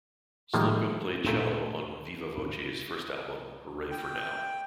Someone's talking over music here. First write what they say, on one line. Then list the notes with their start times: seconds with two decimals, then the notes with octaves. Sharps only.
Slocum played cello on Viva Voce's first album, "Hooray For Now".
0.54 A2 D#3 F3 G3 G#3 A#3
1.26 A#2 A3 E4 A4
3.91 G5